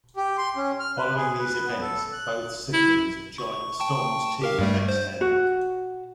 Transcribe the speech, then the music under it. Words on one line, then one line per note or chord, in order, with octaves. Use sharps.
Following these events, both siblings join Storm's team of X-Men.
G4
C6
C#4
F6
B4
G#4
B4
B3
A4
F#6
E4
C#6
G5 A5 C#6
G4 A#4 F5
G2 G3 A3
C5
F#4